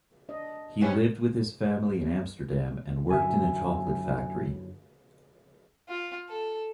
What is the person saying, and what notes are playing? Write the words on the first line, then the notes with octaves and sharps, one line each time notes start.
He lived with his family in Amsterdam and worked in a chocolate factory.
D4 D#5
C3 B3 C#4
F#2 D3 F#3 E5 G#5
F4
A4